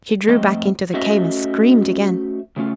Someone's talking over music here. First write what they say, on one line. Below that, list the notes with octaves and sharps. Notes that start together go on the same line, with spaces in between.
She drew back into the cave and screamed again.
F3 A3 C4 C5 D#5
A3 C#4 F#4 C5 D#5 E5
C#3 A3 C#4 F4